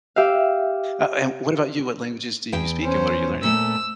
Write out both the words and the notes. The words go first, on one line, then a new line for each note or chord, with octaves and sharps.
Uh, and what about you? What languages do you speak and what are you learning?
G4 E5 F5
E2 G5
C#4 C5
A#2 A3 E6